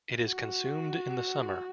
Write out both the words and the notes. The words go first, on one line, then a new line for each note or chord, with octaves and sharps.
It is consumed in the summer.
F#4